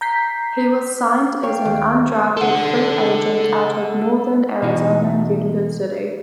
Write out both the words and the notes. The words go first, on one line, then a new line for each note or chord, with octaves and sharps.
He was signed as an undrafted free agent out of Northern Arizona University.
A#5 G6 B6 C7
C#5 F5 G5
D#2
A#4
A4 F#5
B2 E3 D#4 F#4